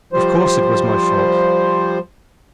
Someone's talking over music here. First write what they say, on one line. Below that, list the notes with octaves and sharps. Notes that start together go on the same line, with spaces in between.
Of course it was my fault.
F3 G3 C5